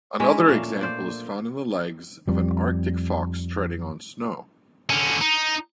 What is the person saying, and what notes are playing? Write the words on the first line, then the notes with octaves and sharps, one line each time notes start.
Another example is found in the legs of an Arctic fox treading on snow.
G#3 C#4 D4 E4
A#2 A3 A#3 F5
C5 D5
F2 G3
D3 C#4
D#4